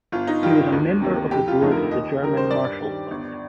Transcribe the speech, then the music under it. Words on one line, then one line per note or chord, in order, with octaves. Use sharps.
He was a member of the Board of the German Marshall Fund.
G1 F4
D#4
G2 D#3 G3 F4
D2
C3 D#3 A#3
F1 G4
F4
G4
F2 D3 A3 D#4
A#4
D#2 D#5
D#3 G3 A#4
C5
G2 D5
D#3 G3
G1